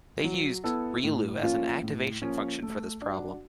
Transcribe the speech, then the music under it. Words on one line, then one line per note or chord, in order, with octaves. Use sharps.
They used relu as an activation function for this problem.
F#3
B3 E4 A4
A2
F3 A#3 C#4 F4
A2
F3 A#3 C#4 F4
A3
D4 F#4